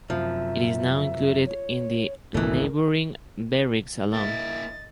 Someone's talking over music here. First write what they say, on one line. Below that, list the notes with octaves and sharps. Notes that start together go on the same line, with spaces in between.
It is now included in the neighbouring Berrick Salome.
F#2 C3 F3 E5
C#5
G#1 C#2 E3 A3 A#4
A#3 E4 D#5 A6